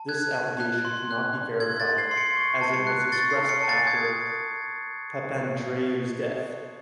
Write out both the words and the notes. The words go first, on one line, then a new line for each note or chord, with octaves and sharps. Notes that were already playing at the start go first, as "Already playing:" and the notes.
This allegation cannot be verified, as it was expressed after Papandreou's death.
Already playing: A5
F#6 G#6
A5
F#6
C6
F#6
F#6
C6 G#6
A6
C6
C7
C6
C#7
C#6
A5
C#7
F#6
C#6 A6
C7
A5
C#7
A5
A6
D#6 G#6